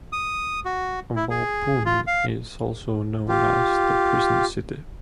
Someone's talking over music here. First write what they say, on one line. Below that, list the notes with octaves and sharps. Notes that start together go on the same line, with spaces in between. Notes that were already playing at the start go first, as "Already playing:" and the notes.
Waupun is also known as The Prison City.
D#6
F#4
E4
G#4
F4
F5
F4 G4